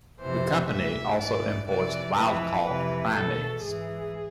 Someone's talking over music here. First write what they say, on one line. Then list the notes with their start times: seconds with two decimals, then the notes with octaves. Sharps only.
The company also imports wild-caught primates.
0.21 F2 C3 E3 C5
0.69 D2 C3 E3 E5
1.19 G#2 E3 D5
1.68 F2 C3 E3 D5
2.17 F2 E3 B4
2.66 F2 C3 E3
3.14 E2 B2 A4
3.62 G#2 E3 G#4